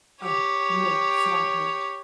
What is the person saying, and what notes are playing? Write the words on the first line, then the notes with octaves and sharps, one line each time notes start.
Oh, more--far more!
G4 C#5